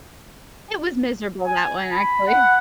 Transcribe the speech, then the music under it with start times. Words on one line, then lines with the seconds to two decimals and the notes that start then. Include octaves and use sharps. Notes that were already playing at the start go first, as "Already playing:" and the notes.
It was miserable that one, actually.
1.47 G#5
1.93 B5
2.28 F#5